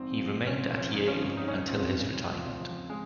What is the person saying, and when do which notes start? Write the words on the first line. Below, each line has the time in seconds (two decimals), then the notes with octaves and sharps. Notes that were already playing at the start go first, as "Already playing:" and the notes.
He remained at Yale until his retirement.
Already playing: A#1 G#2 F3 C4
0.16 F3
0.46 A#1 C#4
0.77 F3 C#4
0.93 D#4
1.07 F3 C#4
1.37 A#1 D#4
1.48 C#4
1.68 F3 C4
1.99 C#3
2.29 F3
2.59 F3
2.90 G#3